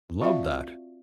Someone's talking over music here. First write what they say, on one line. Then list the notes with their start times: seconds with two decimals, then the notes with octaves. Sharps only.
Love that.
0.21 C4 F4 F#4 D5 E5 F5